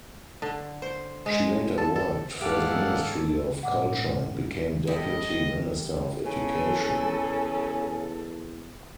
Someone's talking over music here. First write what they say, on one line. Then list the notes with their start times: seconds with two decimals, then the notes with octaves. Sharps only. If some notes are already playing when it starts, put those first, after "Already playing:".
She later worked for the Ministry of Culture and became Deputy Minister of Education.
0.42 D3
0.82 C5
1.26 G#3
1.78 A4
1.96 A4
2.41 G#2 G4 A4 D5 F5 F#5
3.63 A#1 G#2 F#5 D6 E6
4.87 F2 G3 G4 D#5
6.26 E2 C#3 A4 G#5